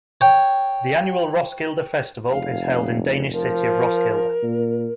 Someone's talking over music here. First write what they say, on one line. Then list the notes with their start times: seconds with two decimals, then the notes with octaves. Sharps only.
The annual Roskilde Festival is held in Danish city of Roskilde.
0.21 C#5 G5
2.30 F1 F5
3.32 F3 A#4
4.43 A#2